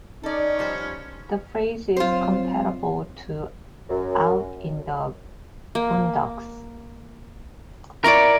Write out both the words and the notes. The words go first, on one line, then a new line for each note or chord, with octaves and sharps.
The phrase is comparable to "out in the boondocks".
C#4 D#4 A4 D5
F3 G3 C5
F#3 C4 F4 C5
F#2
A#3
E4 A#4 C#5 D5 D6